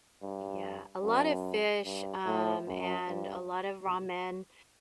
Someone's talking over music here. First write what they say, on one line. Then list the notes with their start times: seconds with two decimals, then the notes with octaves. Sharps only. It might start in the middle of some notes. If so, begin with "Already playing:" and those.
Yeah, a lot of fish, um, and a lot of ramen,
0.22 G2
1.03 F#2
1.85 G2
2.26 A2
2.67 F#2
3.07 G2